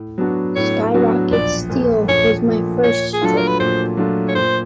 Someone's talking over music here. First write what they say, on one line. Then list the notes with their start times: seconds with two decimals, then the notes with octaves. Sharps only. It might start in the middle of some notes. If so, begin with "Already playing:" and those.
'Skyrocket Steele' was my first strip.
Already playing: A2
0.18 F#3 B3 D4 F#4
0.56 A2 C#5
0.94 F#3 B3 D4 F#4
1.31 A#1 D5
1.69 A#2 F3 A3
2.08 A#1 C#5
2.46 A#2 F3 A3
2.83 A#2 C#5
3.13 G#4
3.21 F#3 A3 D4 F4 A4
3.37 A#4
3.47 B4
3.60 A#2 C5
3.97 F#3 A3 D4 F4
4.28 C#5
4.35 A#2 C5